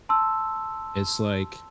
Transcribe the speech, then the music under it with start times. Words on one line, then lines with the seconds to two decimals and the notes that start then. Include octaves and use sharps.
it's like,
0.09 A5 C6 E6